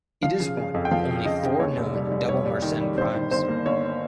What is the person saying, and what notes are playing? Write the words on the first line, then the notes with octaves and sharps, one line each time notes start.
It is one of only four known double Mersenne primes.
F3 F5
C#3
C#3
F2
G5
F3 F5
C#3
C#3 D#5
C#3
D#2 C#5
F1
G3
G3
G3 C#5
G3
D#3
G3
G1 C5
D#3
G1 C5
A#3
G1 C#5